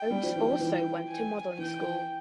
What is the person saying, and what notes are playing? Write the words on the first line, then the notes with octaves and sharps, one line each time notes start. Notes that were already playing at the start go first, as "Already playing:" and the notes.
Oates also went to modeling school.
Already playing: G5
G3
F3
E3
F3
E3
G#5
E3 G5